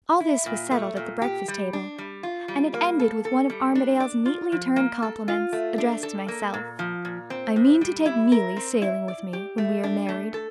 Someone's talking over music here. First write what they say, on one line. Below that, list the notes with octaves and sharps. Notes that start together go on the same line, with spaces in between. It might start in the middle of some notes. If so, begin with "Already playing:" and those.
All this was settled at the breakfast-table; and it ended with one of Armadale's neatly-turned compliments, addressed to myself: 'I mean to take Neelie sailing with me, when we are married.
E4
A#2
A3
A#2
G4
G3
D4
G3
F4
G3
A#3
A4
A4
G3
D4
D5
F4
F3
A#3
A4
F4
A3
D4
A4
A#3
A#2
F3
A#2
C4
A2
G3
E4
A#4
C4
E4
D5
G4
A3
D4
A3
A4